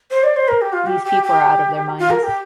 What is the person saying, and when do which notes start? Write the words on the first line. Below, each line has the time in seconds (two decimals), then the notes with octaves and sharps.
These people are out of their minds.
0.11 C5
0.23 D5
0.36 C5
0.48 A#4
0.61 G4
0.73 F4
0.86 G4
1.04 G4
1.23 G4
1.99 F4
2.10 A#4
2.23 G4